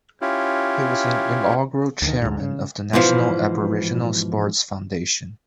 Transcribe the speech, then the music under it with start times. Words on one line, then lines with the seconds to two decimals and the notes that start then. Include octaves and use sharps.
He was the inaugural chairman of the National Aboriginal Sports Foundation.
0.22 C#4 E4 F4 G4
2.02 D2 D#3
2.22 D2 G#2
2.40 C#3
2.93 G#2 B2 E3 F3